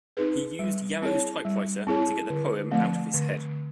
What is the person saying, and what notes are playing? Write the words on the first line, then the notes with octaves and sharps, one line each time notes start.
He used Yarrow's typewriter to get the poem out of his head.
C4 D#4 G#4 B4
G3
C4 E4 G#4 C#5
G3
C4 E4 G#4 C#5
D3
F3 A3 C4
D3